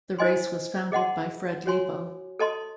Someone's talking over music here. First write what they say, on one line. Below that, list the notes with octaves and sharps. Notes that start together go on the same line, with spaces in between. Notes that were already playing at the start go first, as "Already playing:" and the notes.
The race was founded by Fred Lebow.
E4 C5 D#5 G#5 C6
G#4 D#5 F#5 A5 C6
F#4 C#5 G#5 C6
A4 D#5 A5 C6